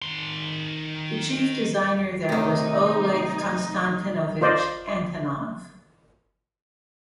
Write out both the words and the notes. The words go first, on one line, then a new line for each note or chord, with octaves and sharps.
The chief designer there was Oleg Konstantinovich Antonov.
D#3 C6
D2 C3 D#3 F#3 D#4
F4 C5 D5 D#5